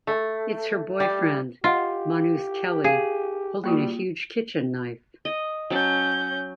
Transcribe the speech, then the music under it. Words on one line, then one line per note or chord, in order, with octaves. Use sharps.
It's her boyfriend, Manus Kelley, holding a huge kitchen knife.
A3
G3
F4 G4 D#5 F#5
G#4 F5
G3 A#3 F4 F#4
D#5
F#3 C#4 A5 G6